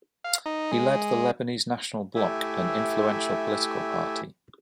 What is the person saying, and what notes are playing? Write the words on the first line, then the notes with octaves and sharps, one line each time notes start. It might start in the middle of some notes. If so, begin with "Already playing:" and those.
He led the Lebanese National Bloc, an influential political party.
F5
D#4
G#3
A3 E4 G4 E5 G#5